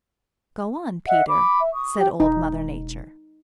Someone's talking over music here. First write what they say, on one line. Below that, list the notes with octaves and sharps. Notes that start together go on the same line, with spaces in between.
"Go on, Peter," said Old Mother Nature.
D#5 E5 F#5
B5 D6
E5
C#6 D#6
G4
E1 D#4